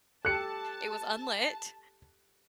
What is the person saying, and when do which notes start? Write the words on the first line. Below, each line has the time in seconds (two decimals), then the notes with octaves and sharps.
it was unlit,
0.25 G4 A4 A5 F#6 C#7